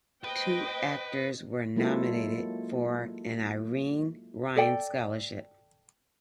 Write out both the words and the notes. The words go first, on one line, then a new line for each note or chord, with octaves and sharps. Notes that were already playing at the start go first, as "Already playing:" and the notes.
Two actors were nominated for an Irene Ryan scholarship.
B4 C5 D#5 G5
F#3 G#3 A#3 E4 F4 A4
A4 D5 G5